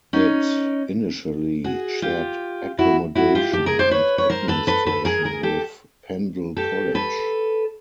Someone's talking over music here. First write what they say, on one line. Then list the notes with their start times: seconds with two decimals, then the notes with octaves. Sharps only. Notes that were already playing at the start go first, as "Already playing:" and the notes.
It initially shared accommodation and administration with Pendle College.
0.13 C#4 D#4
1.64 F#4 G#4
2.02 F4 G4
2.79 E4 F#4
3.15 E4 F#4
3.35 F4 G4
3.53 G4 A4
3.66 G#4 A#4
3.79 C5 D5
3.91 B4 C#5
4.18 C#5
4.30 A#4 C5
4.48 A4 B4
4.67 A4 B4
4.86 A4 B4
5.05 G#4 A#4
5.25 G#4 A#4
5.43 G4 A4
6.57 G4 A4
6.95 A4 B4